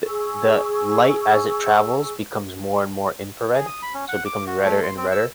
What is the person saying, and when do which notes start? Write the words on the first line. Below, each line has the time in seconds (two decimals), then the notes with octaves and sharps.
The the light as it travels becomes more and more infrared, so, it becomes redder and redder,
0.06 G#4 G#5 C#6 E6
3.54 G#4
3.67 D#6
3.82 B5
3.94 C#4
4.08 F#5
4.25 D6
4.47 F#4
4.65 A3
4.83 C6
4.97 C4
5.12 E6